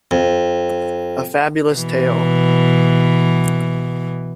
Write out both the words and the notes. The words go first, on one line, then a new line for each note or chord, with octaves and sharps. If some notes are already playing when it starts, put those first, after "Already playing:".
A Fabulous tale.
F2
B2 E3